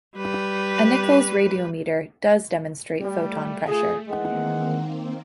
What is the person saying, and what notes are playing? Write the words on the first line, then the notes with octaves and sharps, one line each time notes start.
A Nichols radiometer does demonstrate photon pressure.
G3 B4
G3 A3
F4 G#4
D#3 E3 G#3 A#3 C4 F#5